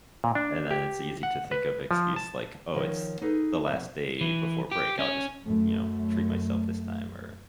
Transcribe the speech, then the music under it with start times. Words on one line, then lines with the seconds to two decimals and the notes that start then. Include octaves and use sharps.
And then it's easy to think of excuse like, "Oh, it's the last day before break. I'll just, you know, treat myself this time," or,
0.24 A#2
0.35 D4
0.71 G4
1.23 F#5
1.52 B4
1.91 F3
2.16 A5
2.74 D#3 F3 C#5
3.22 D#4 G#4 A4 B4
3.67 F2 B2
4.21 E3
4.71 G4
4.99 C#4
5.45 F#2 A3